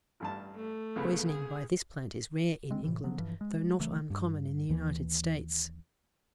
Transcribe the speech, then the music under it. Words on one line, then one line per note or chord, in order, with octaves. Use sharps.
Poisoning by this plant is rare in England, though not uncommon in the United States.
A1 G2 A5
A3
C2 C#3 B3
G#4
G#3 C4
A2 C3 E3
D3 F3 F#3 B3
G2 E3 F3
G#3
C#3 E3 F#3 A3
G2
D#2 E3